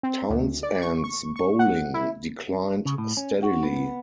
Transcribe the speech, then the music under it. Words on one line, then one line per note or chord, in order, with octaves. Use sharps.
Townsend's bowling declined steadily.
C4
D2
D5
C#6
C#6
C#6
F#5
E4
C#3
A2
C#4
F#4
B3